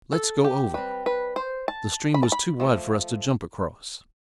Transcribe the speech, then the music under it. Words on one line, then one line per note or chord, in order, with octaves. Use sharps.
Let's go over.' The stream was too wide for us to jump across.
A4
G4
G3 C4 B4
B4
C5
A5
B5
A5
B5
F3 A3